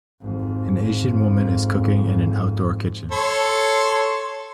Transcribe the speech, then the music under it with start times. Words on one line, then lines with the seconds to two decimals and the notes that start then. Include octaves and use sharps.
An Asian woman is cooking in an outdoor kitchen.
0.21 G#1 F2
3.12 A4 C#5 C6